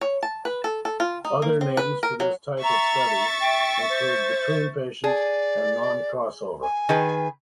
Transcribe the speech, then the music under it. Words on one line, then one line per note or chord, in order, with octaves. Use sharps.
Other names for this type of study include "between patient" and "non-crossover".
C#5
A5
B4
A4
A4
F4
D#4
A#3
C4
B4
A#4
F#3
E5 A#5 C#6 A6
G5
C5
G#4 D5
G#5
D#3 G#4 B4